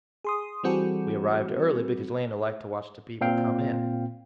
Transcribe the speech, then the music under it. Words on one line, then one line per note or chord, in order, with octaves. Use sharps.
We arrived early, because Lena liked to watch the people come in.
G#4 C6 D#6
E3 G3 C4 F#4 G#4 A4
A#2 C4 F5 G5